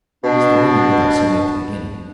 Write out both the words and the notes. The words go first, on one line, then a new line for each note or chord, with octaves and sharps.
It is the women with us who make the beginning.
B2 D4